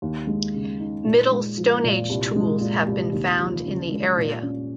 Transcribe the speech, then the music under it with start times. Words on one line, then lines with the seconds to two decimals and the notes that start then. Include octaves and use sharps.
Middle stone age tools have been found in the area.
0.02 D#2
0.27 G#3
0.54 C#3
0.80 D#4
1.05 A#2
1.31 G#3
1.57 F3
1.84 A#2
2.10 C2
2.36 G#3
2.61 A#2
2.87 C2
3.13 D#2
3.39 F3
3.65 C#3
3.91 G#3
4.17 A#2
4.42 C#4